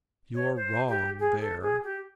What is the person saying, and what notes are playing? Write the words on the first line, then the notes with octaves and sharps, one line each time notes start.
"You are wrong there."
C#5
C5
G4
G#4
A4
G#4
G4